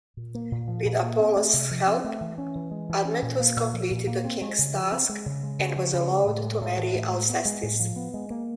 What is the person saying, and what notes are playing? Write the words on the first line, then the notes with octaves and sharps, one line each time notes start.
With Apollo's help, Admetus completed the king's task, and was allowed to marry Alcestis.
A#2
A#3
A#2
F3
A#2
A#3
C4
A3
C3
F3
C4
A3
E3
C#4
E3
G#3
E3
C#4
A#2
A#3
A#2
F3
A#2
A#3
C4
G#3
C#3
F3
C4
G#3
C#3
G#3
C#3
F3
C#3
G#3
A2
G#3
A2
E3
A2
G#3
B3
G#3
A2
F3
B3
G#3
A#3